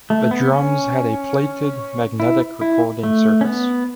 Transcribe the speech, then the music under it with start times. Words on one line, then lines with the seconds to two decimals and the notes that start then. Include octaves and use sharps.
The drums had a plated magnetic recording surface.
0.10 A3
0.31 B3
0.52 C#4
2.20 E4
2.61 E4
3.03 A3
3.41 C#4
3.45 B3